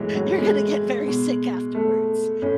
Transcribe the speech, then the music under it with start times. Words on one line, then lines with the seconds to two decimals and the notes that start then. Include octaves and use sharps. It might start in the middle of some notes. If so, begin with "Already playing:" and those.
you're gonna get very sick afterwards.
Already playing: A2 E3 F#3 G#3
0.15 F#3
0.39 G#3
1.07 B2
1.75 A3
2.42 A2 C#4